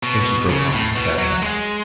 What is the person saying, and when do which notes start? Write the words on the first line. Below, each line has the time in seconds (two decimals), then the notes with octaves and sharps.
Then she broke off and sat back.
0.03 B2
0.50 C#3
0.73 A2
0.96 B2
1.19 F#3
1.43 G#3